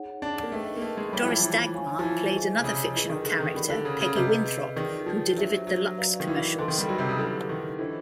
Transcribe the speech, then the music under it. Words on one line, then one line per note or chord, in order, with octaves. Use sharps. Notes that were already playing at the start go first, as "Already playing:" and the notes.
Doris Dagmar played another fictional character, Peggy Winthrop, who delivered the Lux commercials.
Already playing: D#4 G#4 C#5 F#5
D4
A#3
A3 D#4 G#4 B4 D#5 G5
A#3
A3
G#3
G3 C#5 E5 G5 B5 D6
E3
F3
E3
C#5 F5 G#5 C#6
F3
E3
G#4 C5 D#5 G#5 C#6
C3
C#3
C#3
F3
E3 G#4 B4 D#5
D#3
D3
D#3
D#3 G4 A#4 D5 G5 B5
D3
C#3
C#3
C3 G#4 B4 D#5
D#3 F4 G#4 B4 D5
F3
F#3 D4 G4 C5 E5
F#3
F#4 B4 D5 F5 A#5
D#3
E3
D3 B4 D#5 G5 C6
D#3
G3
F#3
C3
C#3
D3 E4 G4 B4
D#3
E3 D4 F4 A4 C5 D#5